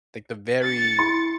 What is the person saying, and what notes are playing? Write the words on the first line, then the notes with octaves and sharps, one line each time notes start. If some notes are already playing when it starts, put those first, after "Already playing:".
like, the very
A6 C#7
E4 C6